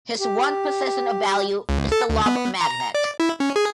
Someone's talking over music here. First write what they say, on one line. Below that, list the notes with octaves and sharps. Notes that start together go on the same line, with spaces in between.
His one possession of value is the Love Magnet.
G4
C#2
A4
D2
B3
A#5
D5
E4
C#4
G#4